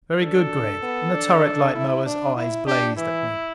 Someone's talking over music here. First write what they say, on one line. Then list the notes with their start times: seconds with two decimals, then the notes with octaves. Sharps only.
"Very good, Gregg." In the turret light Moa's eyes blazed at me.
0.21 D4 A4
0.83 B3
1.13 D4
1.44 D4
1.75 E4
2.06 D4
2.36 E4
2.66 D4 G4
2.97 E3 E4